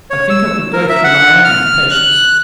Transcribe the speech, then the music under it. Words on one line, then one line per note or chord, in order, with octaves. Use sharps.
I think I could go through my own with patience.
C#5
E6
A#4
E5
F#5
F6
F#6